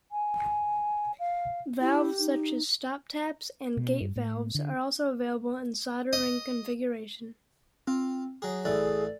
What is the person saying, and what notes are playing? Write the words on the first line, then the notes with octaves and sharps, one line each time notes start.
Valves such as stoptaps and gate valves are also available in solder ring configuration.
G#5
F5
E4 G4
D#4
B2
G2
A2
D3
D#5
C4 F4
F#3 G#4 D#6
A1 E3 A3 G#4 D5